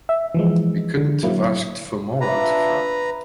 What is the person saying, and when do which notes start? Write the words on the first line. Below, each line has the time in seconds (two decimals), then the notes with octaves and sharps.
We couldn’t have asked for more out of her.
0.09 E5
0.35 E3 F3 G#3
0.97 D3
1.23 F#3 A#3 E4
2.21 D4 F4 B4 E5 A#5